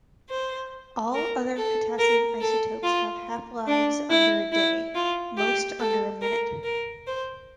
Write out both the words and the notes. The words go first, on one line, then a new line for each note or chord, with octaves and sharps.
All other potassium isotopes have half-lives under a day, most under a minute.
C5
A#4
A4
A#4
A4
F4
D4
E4
E4
F4
G4
A4
A#4
A#4
C5